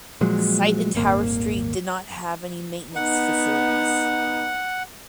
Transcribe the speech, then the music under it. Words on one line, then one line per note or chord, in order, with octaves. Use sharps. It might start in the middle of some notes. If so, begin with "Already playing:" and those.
The site in Tower Street did not have any maintenance facilities.
A#2 F3 F#3 G#3
D#1 G#1 A#3
B3 D#4 F#5